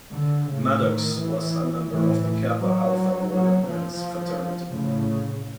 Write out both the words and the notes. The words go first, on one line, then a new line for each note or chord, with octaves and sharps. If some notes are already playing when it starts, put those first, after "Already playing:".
Maddox was a member of the Kappa Alpha Order men's fraternity.
D3
A2 C#3
D#3
E3
A2 E3
F#3
A#2 F#3
F3
A2 C#3